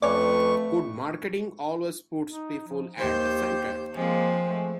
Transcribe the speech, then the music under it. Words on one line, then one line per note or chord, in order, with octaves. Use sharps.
Good marketing always puts people at the center.
F2 A3 C#4 B4 D5 C#6
D#4
F3
D#2 G4 C5 G6
F3 G#3 A#3 C4
A3